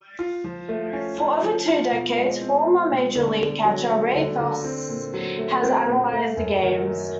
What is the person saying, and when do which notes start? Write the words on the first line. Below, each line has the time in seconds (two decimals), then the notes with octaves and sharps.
For over two decades former major league catcher, Ray Fosse has analyzed the games.
0.19 F4
0.44 F3
0.69 A3
0.93 C#4
1.18 F4
1.43 F3
1.68 F4
1.92 B2
2.17 G#3
2.41 C4
2.67 F4
2.91 B2
3.15 D3
3.41 D3
3.65 F#3
3.90 A3
4.15 D3
4.40 D3
4.64 C4
4.88 A#2
5.14 F#3
5.38 A3
5.63 C4
5.88 A#2
6.13 A3
6.37 F#2
6.63 D#3
6.87 F#3